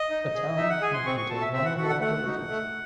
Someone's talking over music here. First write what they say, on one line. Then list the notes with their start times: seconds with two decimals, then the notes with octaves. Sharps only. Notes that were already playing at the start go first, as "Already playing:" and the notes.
A town may contain one or more villages.
Already playing: D#5
0.10 D#4
0.34 G#4
0.57 D#4 E5
0.70 F#5
0.82 G#4 G#5
0.94 C6
1.06 C4 C#6
1.17 C#6
1.29 F#4 A4 A5
1.41 E5
1.53 C4 E5
1.65 F#5
1.77 F#4 A4 F#5
1.89 F#5
2.01 A3 F#5
2.24 D#4 F#4
2.49 A3